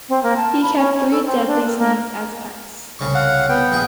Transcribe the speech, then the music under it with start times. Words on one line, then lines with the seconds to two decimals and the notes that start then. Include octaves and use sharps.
He keeps three deadly snakes as pets.
0.09 C4
0.23 A#3
0.37 A5
0.62 B5
0.76 C#4
0.93 C#4
1.11 A4
1.26 C4
1.47 D4
1.66 A#4
1.78 A#3
2.99 C2 C#3 C#6
3.15 F5 F#5
3.49 B3 G5
3.72 A#1 G#4